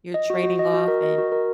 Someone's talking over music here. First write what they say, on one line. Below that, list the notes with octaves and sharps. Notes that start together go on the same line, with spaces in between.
you're trading off and
D#5
F#4
F#4
D#5
F#4
A#4
D#5
F#4
A#4